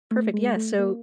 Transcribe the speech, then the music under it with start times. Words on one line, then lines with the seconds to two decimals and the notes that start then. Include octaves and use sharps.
Perfect, yeah, so,
0.11 A3
0.34 G#3
0.56 A3
0.79 A#3